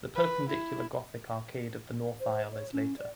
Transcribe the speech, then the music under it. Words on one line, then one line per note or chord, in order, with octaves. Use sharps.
The Perpendicular Gothic arcade of the north aisle is later.
B4
E4
C5
C#5
C#4
D5